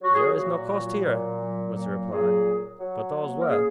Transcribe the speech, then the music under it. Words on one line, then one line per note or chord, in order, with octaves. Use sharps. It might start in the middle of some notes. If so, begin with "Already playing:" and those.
"There is no coast here," was the reply, "but all's well."
F#3 F#4
G#4
F#4
A#2 F#4
F#3
A#2
F#3
A#2
F#3 G#4
F#3
F#3
A#3
A#4
C#3 G#4